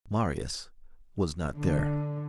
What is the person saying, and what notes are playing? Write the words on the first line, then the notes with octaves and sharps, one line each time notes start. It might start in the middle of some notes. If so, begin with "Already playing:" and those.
Marius was not there.
D3